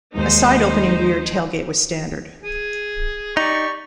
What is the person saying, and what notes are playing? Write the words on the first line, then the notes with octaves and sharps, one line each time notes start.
A side-opening rear tailgate was standard.
D#2 G#3 D#4 C5
G#4
D#4 G4 D5 C#6